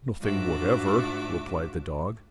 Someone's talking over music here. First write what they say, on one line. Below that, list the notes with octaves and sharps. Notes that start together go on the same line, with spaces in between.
"Nothing whatever," replied the dog.
G#2 D4 F4 F#4 E5 D6